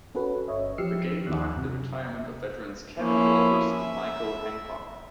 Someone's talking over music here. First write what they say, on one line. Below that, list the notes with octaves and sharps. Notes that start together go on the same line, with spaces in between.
The game marked the retirement of veterans Kevin Walters and Michael Hancock.
C#4 F#4 A4 B4
G1 C#5 D#5 E5
F3 G4 E6 F6 C7 C#7
D#2 D#3 F3 D5 F#6
F#2 C3
F3 A#3 C#4 E4
E5